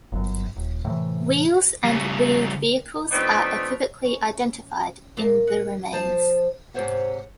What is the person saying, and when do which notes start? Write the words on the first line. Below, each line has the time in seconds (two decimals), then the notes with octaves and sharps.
Wheels and wheeled vehicles are equivocally identified in the remains.
0.12 G1 F#2
0.56 D#1
0.85 A2 C3 D#3 E3
1.84 C#3 G3
3.11 F3 A3 B3 C4 D4 D#4
4.05 C#4
5.17 A#2
5.47 F#5
5.93 F3 C5 A5
6.74 G#2 C3 G4 C5 C#5 F#5